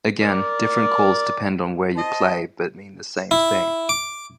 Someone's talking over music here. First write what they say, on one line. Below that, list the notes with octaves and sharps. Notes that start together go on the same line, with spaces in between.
Again, different calls depend on where you play but mean the same thing.
A#4 D5
C5 D#5 A5
E4
D6